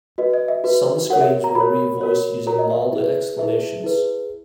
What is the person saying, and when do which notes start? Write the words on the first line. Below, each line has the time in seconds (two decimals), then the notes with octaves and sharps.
Some screams were re-voiced using milder exclamations.
0.18 F#4 B4 D#5
0.34 D#5
0.48 E5
0.64 F#4 B4
1.10 F#4 A#4 C#5 F#5
1.21 E5
1.44 A#5
1.55 F#4 A#4 C#5 B5
2.01 F#4 A#4 C#5
2.47 F#4 A#4 C#5 A#5
2.58 D#5
2.70 E5
2.82 E5
2.92 E4 G#4 B4
3.38 E4 G#4 B4 E5
3.84 E4 G#4 B4